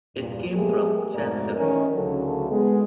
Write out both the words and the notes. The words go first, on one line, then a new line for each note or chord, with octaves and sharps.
It came from Chancery.
E2 G2 A#2
G#3 A3 B3 G4 G#4 A#4
F2 G#2 B2 A3 A#4 D5
D#3 E3 C#4 D#4 A#4 D#5
D2 C#3 F#3 D#4 A4
G#3 B3